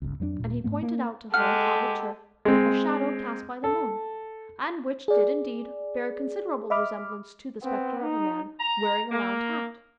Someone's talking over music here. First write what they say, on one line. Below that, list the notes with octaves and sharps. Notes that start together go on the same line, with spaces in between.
And he pointed out to her on the turf a shadow cast by the moon, and which did indeed, bear considerable resemblance to the spectre of a man wearing a round hat.
G1 C#2
F2 F#3 G3 D4
D#1 A#2
G#2 A3 B3
A#3
G#3 G4 A4 F#5 F6
G#3 C4
A4
G#4 D5
D#5 E5 B5 D6 F6
B3 C4
D#4
A#5
A#3